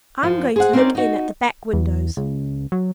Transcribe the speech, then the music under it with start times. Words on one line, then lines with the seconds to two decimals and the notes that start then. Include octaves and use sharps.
I'm going to look in at the back windows.
0.23 F#2 F3
0.56 G#4 C5 F#5
0.73 C4 C#4 D#4 A#4 C5 D5
0.95 D#4 F#4
1.73 E2
2.17 C#2
2.72 F#3